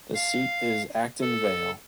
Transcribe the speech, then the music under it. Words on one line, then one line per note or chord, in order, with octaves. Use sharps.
The seat is Acton Vale.
F5
A4